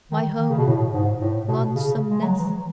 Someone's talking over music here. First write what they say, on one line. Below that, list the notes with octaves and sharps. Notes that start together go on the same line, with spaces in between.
My home, lonesomeness!
D#3
D#3
C#3
B2
A2
G#2
A2
B2
C#3
G#3
F#3
E3